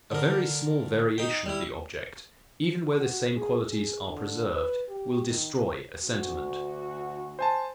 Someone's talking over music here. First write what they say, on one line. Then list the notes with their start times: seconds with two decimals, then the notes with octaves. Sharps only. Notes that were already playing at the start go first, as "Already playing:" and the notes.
A very small variation of the object, even where the same qualities are preserved, will destroy a sentiment.
0.11 D3 A#4
1.18 D#4 G5
1.46 G3 E4
3.00 F#4
3.36 G#4
3.68 G#4
4.08 D3
4.51 B4
4.88 G4
5.28 D#3
6.04 D2 F#4
7.39 C5 G#5 A5